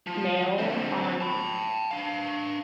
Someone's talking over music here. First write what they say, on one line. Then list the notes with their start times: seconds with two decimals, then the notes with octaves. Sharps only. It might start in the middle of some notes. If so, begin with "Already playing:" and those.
male on
0.07 F3
0.58 D3 C4
1.21 A5 B5
1.91 D4 F5